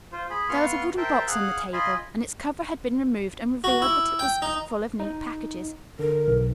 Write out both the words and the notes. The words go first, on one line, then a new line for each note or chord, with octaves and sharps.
There was a wooden box on the table and its cover had been removed and revealed that it was full of neat packages.
F4 C5
G#4 B5
B3 F4 C6 C#6 F6
A#4 C5 E5 G5 A5
G#4 F5 F#5 F#6
F4 D#5 G#5 B5 C6
F#4
E4
G5
D#4
D#4
D3 A#4
B1